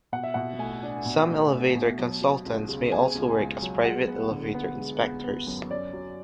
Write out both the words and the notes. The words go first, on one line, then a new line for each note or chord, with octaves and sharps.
Some elevator consultants may also work as private elevator inspectors.
B2 F#5
E5
B2 F#5
A3 G#5
D4
B2
A3
A3
B2
F#3
F#3
C#2
C#3
C#3 G#5
C#2
C#2
F#3
G#3 F#5
B3
D3
B3
G#3
B3
B3
F#2
C#4 D5
F#3